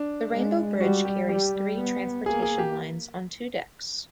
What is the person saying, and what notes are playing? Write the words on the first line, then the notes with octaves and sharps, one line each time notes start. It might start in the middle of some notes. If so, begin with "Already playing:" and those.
The Rainbow Bridge carries three transportation lines on two decks.
Already playing: D4
G#3
G3 F#4
G4
G3 G4
B3
A#3 G#4
G#4
G4